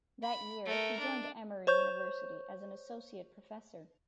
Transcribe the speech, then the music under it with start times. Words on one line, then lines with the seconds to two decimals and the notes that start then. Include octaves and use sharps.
That year he joined Emory University as an Associate Professor.
0.22 B5
0.66 A3 A#4
0.99 D4
1.67 C5 C#5 C#6 G6